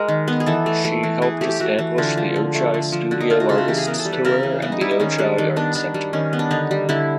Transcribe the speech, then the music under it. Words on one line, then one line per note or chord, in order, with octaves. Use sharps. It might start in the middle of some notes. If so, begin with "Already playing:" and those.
She helped establish the Ojai Studio Artists Tour and the Ojai Art Center.
Already playing: G#3 A#4
D#3
B3
G#4
E3 A4
A3
A3
E3
E3 G#4
A3 G4
A3 F#4
E3
D3 F4
F3
D3
A3
D3
F3
D3 F#4
D#4
A3 F4
F#4
C#3 F4
F#4
E3 G4
G#4
B3 A#4
A4
G3
B4
C#3 A#4
E3
B3 G#4
D#4
G3 E4
D#4
D#3 C#4
G3 D4
D#3
B3 D4
D#3 D4
G3
D#3 C#4
B3
D4
D3 D#4
G3
D3 E4